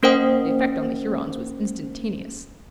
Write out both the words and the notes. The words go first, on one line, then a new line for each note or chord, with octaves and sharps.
The effect on the Hurons was instantaneous.
A#3 C#4 A#4 C5 F#5 G5